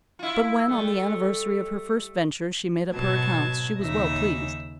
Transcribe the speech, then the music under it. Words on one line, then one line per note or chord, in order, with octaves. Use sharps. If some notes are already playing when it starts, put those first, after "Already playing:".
But when on the anniversary of her first venture she made up her accounts she was well pleased.
E4 F4
G3 A3
G#2 B2 F#3 A5 G#6
D#2 C#3 D#4 E5 A#6